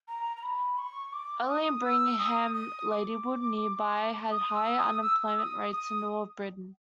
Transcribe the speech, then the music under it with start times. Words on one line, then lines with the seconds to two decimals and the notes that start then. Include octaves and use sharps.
Only Birmingham, Ladywood nearby had higher unemployment rates in all of Britain.
0.08 A#5
0.37 A#5
0.43 B5
0.78 C#6
1.13 D6
1.49 D#6
1.84 E6
2.19 D#6
2.54 D#6
2.90 D6
4.31 D#6
4.55 E6
4.78 D#6
5.02 E6
5.25 E6
5.38 D#6
5.72 D#6